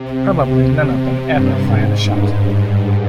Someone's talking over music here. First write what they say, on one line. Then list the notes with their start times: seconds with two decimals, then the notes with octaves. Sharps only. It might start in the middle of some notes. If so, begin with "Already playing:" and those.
Probably none of them ever fired a shot.
Already playing: C3
0.34 C3
1.33 G2
1.61 G#2
2.03 G2
2.46 G#2